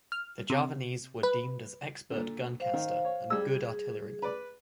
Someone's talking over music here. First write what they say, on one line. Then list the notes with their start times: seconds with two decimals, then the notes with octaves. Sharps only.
The Javanese were deemed as expert gun caster and good artillerymen.
0.12 F6
0.50 C3
1.23 B4
2.11 A#2 D3
2.60 C5 F5
2.73 D#3
3.05 C#5
3.30 G3 G#4 E6
4.22 B4 D5